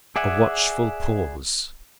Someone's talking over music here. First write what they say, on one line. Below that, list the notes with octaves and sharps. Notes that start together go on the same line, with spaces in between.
A watchful pause.
G#4 D5 E5 F#5 G#5